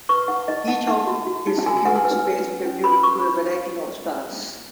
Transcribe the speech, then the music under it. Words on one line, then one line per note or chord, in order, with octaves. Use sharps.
Each of his tunes pays tribute to a variety of stars.
B4 C#6
D#4 F#5
D#4 D#5
D#4 F#5
D#4 F#5
F#4
F#4
D#4
F#4 G#5
G#5
B4 F#5
G#5
B4
B4
C#4
C#4
B4 B5
B4 C#6